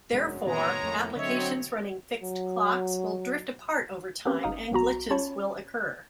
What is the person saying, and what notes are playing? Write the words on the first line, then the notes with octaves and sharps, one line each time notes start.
Therefore, applications running fixed clocks will drift apart over time and glitches will occur.
E1 F#2 G#3 D4
A#2 D#3 G#3 B3 C#5 A#5
F2 A2 A3 A#3
D3 F#3 C4 C#5 D#5 E5
F#3
A#3 C4 C#4 G4 B4
G1 D#4 F5 D#6
B1 D#3 B3 F#4 A#5
C#4 F4 C#5 A5 B5 C#6